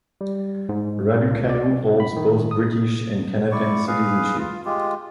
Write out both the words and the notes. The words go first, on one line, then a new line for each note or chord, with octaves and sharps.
Raducanu holds both British and Canadian citizenship.
G3
G#2
C#2
D5
B5
D#3
D#6
E4 D5 C#6
G#4 B4 F5
F4
G#3 F4 G4